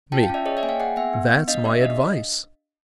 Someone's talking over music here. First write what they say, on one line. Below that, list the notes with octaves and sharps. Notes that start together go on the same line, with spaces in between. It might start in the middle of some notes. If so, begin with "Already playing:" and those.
ME: That's my advice.
F4 G5 A5
F5 G5
C#4 D5 E5
G#4 C#5 D#5
D5 E5
A#3 G#5
F5 G5
G#4 F#5 G#5
B3 E5 F#5
B3
B3
D4 D#5 F5
G4 D5 E5
D4 D#5 F5